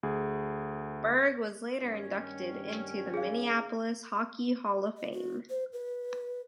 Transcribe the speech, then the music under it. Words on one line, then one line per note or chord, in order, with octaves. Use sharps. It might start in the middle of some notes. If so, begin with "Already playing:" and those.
Burg was later inducted into the Minneapolis Hockey Hall of Fame.
D2 G#4
G2 D#3 C#4
G#4 F5
D#5
F#4
C5
B4